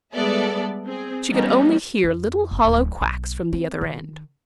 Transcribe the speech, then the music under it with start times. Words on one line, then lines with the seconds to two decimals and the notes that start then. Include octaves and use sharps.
But she could only hear little hollow quacks from the other end.
0.14 G3 G#3 B3 A4 D5 E5
0.86 C4 G#4
1.28 E3 G3 A#3 B3 C#4 D#4
2.04 F2
2.51 G1
2.65 D1
3.01 B1
3.53 C4
3.81 D#3